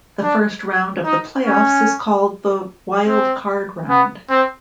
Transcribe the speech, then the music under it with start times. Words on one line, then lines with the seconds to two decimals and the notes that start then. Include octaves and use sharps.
The first round of the playoffs is called the "Wild Card Round".
0.23 D4
1.05 D#4
1.45 C#4
3.07 C4
3.89 B3
4.29 C4